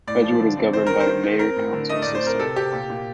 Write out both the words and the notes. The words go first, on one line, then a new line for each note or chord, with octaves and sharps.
Edgewood is governed by a mayor-council system.
A2 D5
F3
D3
C4
D#3 C5
D#3 A#4
C5
D#3
D#3
C4 A#4
A2
D3
A3 D#5
A2 D5
C5
C4 A#4
C3 A4
C3 G4
A#2
A#2